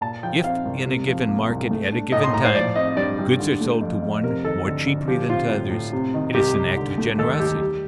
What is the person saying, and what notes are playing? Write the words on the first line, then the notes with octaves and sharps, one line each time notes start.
If, in a given market at a given time, goods are sold to one more cheaply than to others, it is an act of generosity.
A#2 A5
F3 G5
C4 F5
C2
C3
F3
A#3
C2
A3
D4
A2 D#5
C6
A2 A#5
C5
F3 D5
C4 D#5
G2 D5
G2
D3
A3
F2
F2
C3 A#4
D#3 A4
D2
D2
F3 G4
C4 F4
A2
A2
C3
D#3
C2 G4
C2
D3
A3
D#2 A4
D#2 G4
G3